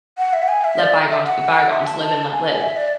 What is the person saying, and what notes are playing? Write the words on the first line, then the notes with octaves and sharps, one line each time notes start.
let bygones be bygones? Live and let live."
F#5
E5
F#5
G#5
E5
D5
E5
F#5
E5
A5
A5
G#5
E5
D5